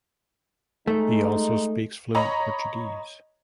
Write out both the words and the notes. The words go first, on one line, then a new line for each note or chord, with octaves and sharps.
He also speaks fluent Portuguese.
G#3 A3 D#4
C#5 D#5 A#5 B5